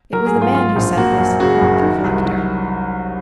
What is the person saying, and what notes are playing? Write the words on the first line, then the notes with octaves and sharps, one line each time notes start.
It was the man who said this, not the collector.
F#3 A#4
G#4
G#1
F4
F#3 F4
A#1
A#3 F#4
F#2
C#3 F#4
F#1
D#3
C2
F#3